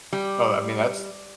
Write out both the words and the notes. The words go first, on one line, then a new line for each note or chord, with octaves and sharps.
Oh, I mean, that's
G3